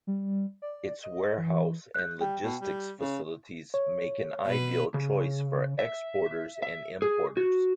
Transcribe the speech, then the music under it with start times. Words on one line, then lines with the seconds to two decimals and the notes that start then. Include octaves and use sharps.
Its warehouse and logistics facilities make an ideal choice for exporters and importers.
0.07 G3
0.62 D5
1.03 D#5
1.37 E3
1.94 F#6 G6
2.21 G3 G5
2.43 B2
2.62 G3
3.00 C#3
3.74 C#5
4.45 B2 B4
4.94 C#3
5.79 E5
6.62 E5
7.02 G#4
7.37 F#4